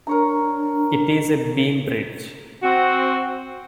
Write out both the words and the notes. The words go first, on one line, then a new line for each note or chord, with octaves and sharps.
It is a beam bridge.
D4 A#4 C#5 A#5
C4 F#4